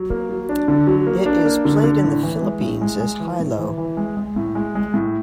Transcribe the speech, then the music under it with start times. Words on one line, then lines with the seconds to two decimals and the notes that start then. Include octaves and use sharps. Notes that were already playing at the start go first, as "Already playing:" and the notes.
It is played in the Philippines as hi-lo.
Already playing: F#3
0.10 A#3
0.29 F#3
0.49 D4
0.68 D3
0.87 F#3
1.07 A#3
1.26 D4
1.45 A#3
1.65 D3
1.84 D3
2.04 A2
2.23 E3
2.42 G#3
2.61 A2
2.81 G#3
3.00 G#3
3.20 E3
3.40 A2
3.59 E3
3.78 E3
3.97 G#3
4.17 G#3
4.36 A2
4.55 G#3
4.75 G#3
4.94 A2